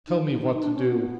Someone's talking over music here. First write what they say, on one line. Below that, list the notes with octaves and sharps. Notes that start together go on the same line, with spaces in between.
Tell me what to do!...
D#4
D#4
D#4
D#4
D4
C#4
B3